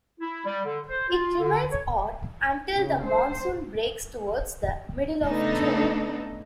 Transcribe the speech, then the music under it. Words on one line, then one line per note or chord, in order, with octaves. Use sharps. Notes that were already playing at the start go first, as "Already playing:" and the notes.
It remains hot until the monsoon breaks towards the middle of June.
E4
G3
D3
C5
F4
D3
C#5
C#3
C5
C#3 A3 B3 D4 D#4 A4